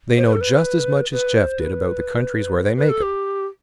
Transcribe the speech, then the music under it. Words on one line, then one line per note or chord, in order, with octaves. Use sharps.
They know just as much as Jeff did about the countries where they make it.
C5
B4
A4
B4
B4
C5
B4
B4
A4
G4